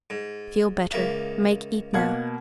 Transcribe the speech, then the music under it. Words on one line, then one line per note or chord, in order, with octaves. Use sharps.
"Feel better, make eat now."
G#2
C#2 A#3 E5
B2 A#3 F#5 G#6